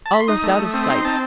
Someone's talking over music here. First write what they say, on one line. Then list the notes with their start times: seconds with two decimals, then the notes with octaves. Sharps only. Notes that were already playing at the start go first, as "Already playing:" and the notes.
All left out of sight!
0.06 A5
0.13 B5
0.20 C6
0.28 D#4 D#6
0.43 A3
0.51 D#6
0.59 A3
0.74 C4 D#6
0.90 D#4 C6
1.05 C4 A5